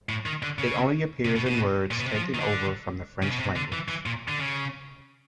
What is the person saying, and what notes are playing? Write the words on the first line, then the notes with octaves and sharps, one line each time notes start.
It only appears in words taken over from the French language.
A2
D#3
D3
C#3
C3
B2
B2
A#2
B2
C3
F3
D#3
D3
C#3
B2
C3
D3
E3
E3
A#2
D3
C#3